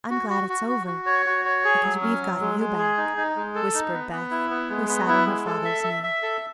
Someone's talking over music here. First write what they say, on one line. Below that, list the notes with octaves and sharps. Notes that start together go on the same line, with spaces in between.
"I'm glad it's over, because we've got you back," whispered Beth, who sat on her father's knee.
F#4
F#4
F#4
F#4
F#4
C#5
F#4
C#5
G#4
F#3
C#4
F#3
G#3
G#3
G#4
D#4
D#4
G#3
A4
D#4
B3
B3
E4
B3
G#3
B3
E4
G#3
A4
E5
E5
E5
A4